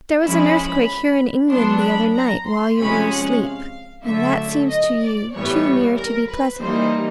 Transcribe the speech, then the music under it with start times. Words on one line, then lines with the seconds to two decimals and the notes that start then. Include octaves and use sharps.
There was an earthquake here in England the other night, while you were asleep; and that seems to you too near to be pleasant.
0.24 F3 G#3 C#4 E4 B5
1.51 F#3 B3 D4 C6
1.82 B5
2.14 A#5
2.47 C6
2.78 C3 F3 G#3 C#4 B5
3.10 F#5
3.42 F5
4.06 D3 F#3 A3 E5
4.69 D#5
5.01 D5
5.32 A2 E3 G3 B3 C#5
5.97 A#4
6.29 B4
6.59 E3 G3 A#3 D#4 C5